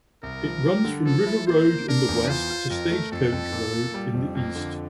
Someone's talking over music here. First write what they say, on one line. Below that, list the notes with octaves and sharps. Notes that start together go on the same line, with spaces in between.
It runs from River Road in the west to Stagecoach Road in the east.
C2 A#4
F3
G3
D3
F3 A4
E4
A#3 C5
A#3
D4 A#4
E2
F4 C5
F4
F2 A#4
A3
F2 A4
F2
A#2
A#2
G3
F2
F2 A#3
D3